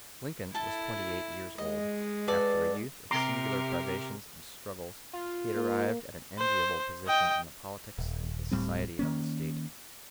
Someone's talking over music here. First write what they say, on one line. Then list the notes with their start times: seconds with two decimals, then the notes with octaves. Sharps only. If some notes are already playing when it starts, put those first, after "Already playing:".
Lincoln was twenty-eight years old; after a youth, of singular privations and struggles he had arrived at an enviable position in the politics and the society of the State.
0.54 E4 A4 A5
1.58 G#3 D#5
2.27 F#4 A4 B4 D5
3.11 C3 G4 A#4 A#5 C6 D6
5.13 F4
5.55 A#3
6.38 C5
7.07 D#5 G5
7.98 D#1
8.51 D1 A2 G3 C4
8.99 D#3 A#3 C#4